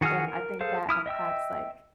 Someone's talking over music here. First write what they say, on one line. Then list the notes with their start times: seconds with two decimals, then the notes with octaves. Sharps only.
And I think that unpacks, like,
0.01 D#3 F#4 G#4 F#5 F6
0.28 A#4
0.61 G#4 A4 C5 F5
0.89 E4 D#6 F6
1.06 D#5 E5 G5 E6